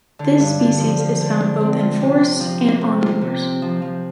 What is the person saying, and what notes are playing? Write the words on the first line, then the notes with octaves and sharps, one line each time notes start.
This species is found both in forests and on moors.
D3
G2
D3
F3
F3
D3
D3
C4
F4
C3
C4
F3
C4
C3
F4
C3
C4
F3
F3